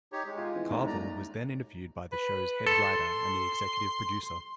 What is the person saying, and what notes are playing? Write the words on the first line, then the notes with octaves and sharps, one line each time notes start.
Carvell was then interviewed by the show's head writer and the executive producer.
D#4 G4 C#5
G#3
F4
E3
D#2 D#3 A3
G#2 D5 A#5
B4
A4 C6